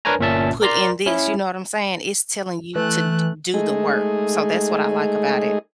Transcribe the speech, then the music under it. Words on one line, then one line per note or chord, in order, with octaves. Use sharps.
put in this." You know what I'm saying? It's telling you to d do the work. So that's what I like about it.
D4 A#4 B4 C#5 G#5 A#5
G1 A#2 C#4 E5 A5
A#4 D5 A#5 C6
C#4 E4
E3 A3 F#6
G#3 A3 D#4 G#4